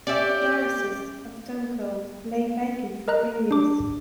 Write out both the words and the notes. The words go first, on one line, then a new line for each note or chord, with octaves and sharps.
The diocese of Dunkeld lay vacant for three years.
C#4 G4 D5 E5
A#4 D#5 A#5 F#6
D4 D6